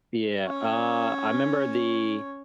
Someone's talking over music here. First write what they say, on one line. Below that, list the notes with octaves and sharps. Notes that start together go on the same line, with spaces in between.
Yeah, uh, I 'member the,
C#4 C#5